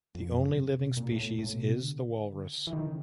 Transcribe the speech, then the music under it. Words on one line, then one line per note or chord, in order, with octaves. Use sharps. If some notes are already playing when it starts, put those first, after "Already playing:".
The only living species is the walrus.
F2
F#2
C3
C#3
C3
B2
A#2
A2
A#2
A2
B2
C3
D3
E3
D#3
C#3